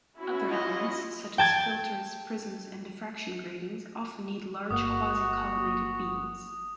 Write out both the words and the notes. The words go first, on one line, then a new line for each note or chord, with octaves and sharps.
Other elements, such as filters, prisms and diffraction gratings often need large quasi-collimated beams.
C#4 E4 F#4
F4 D#5
G5 A5 G#6
G1 A#3 F#4 F#5 D#6